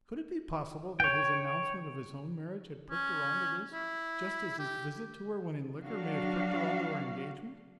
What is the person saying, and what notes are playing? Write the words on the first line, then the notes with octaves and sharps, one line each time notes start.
Could it be possible that his announcement of his own marriage had pricked her on to this, just as his visit to her when in liquor may have pricked her on to her engagement?
C#5 G5
C#4
E4
G4
F#3 D4 F#4 F5